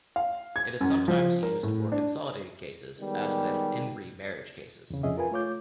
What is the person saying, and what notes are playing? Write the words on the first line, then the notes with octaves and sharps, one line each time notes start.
It is sometimes used for consolidated cases, as with "In re Marriage Cases".
F5
G#6
F#2
F3
A#4
A2
D4
D#3 G3 G#3 B3
E2 C#3
F2 C3 C#4 G#4 D#5 E5
F4 A#4 B4 G#5
A3 F4 C#5 D6 G6